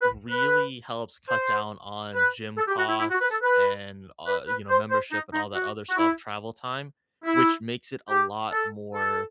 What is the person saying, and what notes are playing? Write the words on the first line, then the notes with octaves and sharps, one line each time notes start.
really helps cut down on gym costs, and, uh, you know, membership and all that other stuff, travel time, which makes it a lot more,
B4
B4
C5
B4
A4
G4
F#4
E4
E4
F#4
B4
A4
B4
B4
B4
C5
C5
D#4
D#4
F#4
F#4
E4
E4
G4
A4
A4